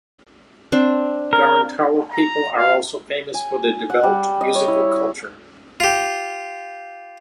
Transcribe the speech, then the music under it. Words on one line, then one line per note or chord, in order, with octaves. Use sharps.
Gorontalo people are also famous for their developed musical culture.
C4 D4
A#4
A#5
F5
G#5
F#5
G3
D#5
C#5
E4
F4 G4